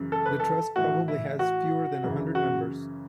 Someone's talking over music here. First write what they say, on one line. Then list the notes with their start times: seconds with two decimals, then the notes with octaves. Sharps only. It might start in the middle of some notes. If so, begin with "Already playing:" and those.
The Trust probably has fewer than a hundred members.
Already playing: F#2 C#3 E3
0.12 A4
0.26 B4
0.40 A4
0.76 A2 E3 F#4
1.08 E4
1.39 F#4
2.04 F#2 C#3 E3
2.35 F#4